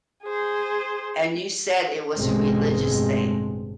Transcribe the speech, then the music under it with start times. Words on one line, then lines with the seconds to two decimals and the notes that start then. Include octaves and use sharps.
and you said it was a religious thing
0.24 G#4 C5
2.16 A1 G2 B2 D3 G#3 C4